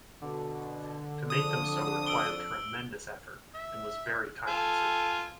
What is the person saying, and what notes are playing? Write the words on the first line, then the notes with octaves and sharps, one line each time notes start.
To make them so required tremendous effort - and was very time consuming.
B2 D3
F2 F3 D4 D#6
E6 D7 G7
E5
F4 A4 G#5